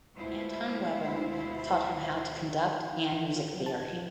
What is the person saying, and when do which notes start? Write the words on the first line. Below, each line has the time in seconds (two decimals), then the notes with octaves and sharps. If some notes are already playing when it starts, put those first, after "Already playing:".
Anton Webern taught him how to conduct and music theory.
0.15 D2 B2 G#3 E4 F4 C5
3.12 E3
3.36 F4
3.54 F#3
3.66 A5
3.78 G#6
3.93 F3